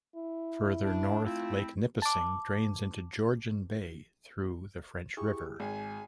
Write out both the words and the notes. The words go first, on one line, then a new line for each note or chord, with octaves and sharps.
Further north, Lake Nipissing drains into Georgian Bay through the French River.
E4
D4
A3 C4 E4 F4
A5 D6
E4 G4 G#4 C#6
G#1 G#4 G#5